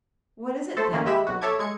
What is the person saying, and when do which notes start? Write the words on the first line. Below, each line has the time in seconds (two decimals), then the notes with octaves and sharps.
"What is it, then?"
0.77 A3 A4 C5
0.91 A2 D#3 A#3 C#4
1.06 G#3 G4 E5 B5 E7
1.27 B1 F#4
1.41 A4 C#5 E5 A5 D6 G#6
1.59 G#3 G#6 C#7